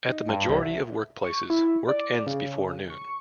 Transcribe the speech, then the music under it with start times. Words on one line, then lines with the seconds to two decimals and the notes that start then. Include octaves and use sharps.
At the majority of workplaces, work ends before noon.
0.08 D#4
0.29 G2
0.50 C2
0.63 E5
1.24 C#6
1.50 E4
1.88 D5
2.27 C#3
2.90 C#6